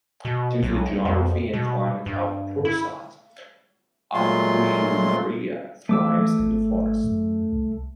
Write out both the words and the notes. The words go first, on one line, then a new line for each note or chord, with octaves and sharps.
Due to the geography and climate of Pursat, "Aquilaria" thrives in the forest.
B2
B1
F2
B2
G2
E4
A#2 F#3 G#3 A3 F4 C6
E3 A3 D6 E6
E3
G#1
F#2
C2